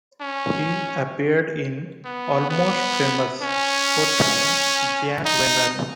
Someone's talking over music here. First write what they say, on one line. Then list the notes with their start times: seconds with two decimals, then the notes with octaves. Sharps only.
He appeared in "Almost Famous", portraying Jann Wenner.
0.21 C#4
2.05 B3
2.50 B3
3.42 C#4
5.25 D#4